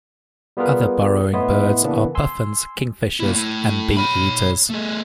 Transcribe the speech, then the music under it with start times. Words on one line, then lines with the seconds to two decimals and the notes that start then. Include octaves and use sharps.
Other burrowing birds are puffins, kingfishers, and bee-eaters.
0.57 G3 B3 F4 G#4 A#4 B4
1.33 A2 B3 E4 D#5 C6
1.83 C#3 E3 A#3 B3 D4
2.15 G#5 C6 E6
3.20 A#3 E4
3.33 A2
3.97 C#5 B5
4.70 A3 G#4